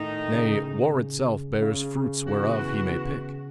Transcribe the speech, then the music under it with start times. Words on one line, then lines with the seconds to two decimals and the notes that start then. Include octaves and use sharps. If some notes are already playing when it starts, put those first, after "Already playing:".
Nay, war itself bears fruits whereof he may pick.
Already playing: A2 D#3 A3 D#4
0.33 C#3
1.61 C#3
2.25 E3 B3 F#4